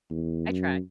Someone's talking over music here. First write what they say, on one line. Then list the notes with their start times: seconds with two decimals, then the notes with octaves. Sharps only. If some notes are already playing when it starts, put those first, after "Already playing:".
I try.
0.10 E2
0.47 F#2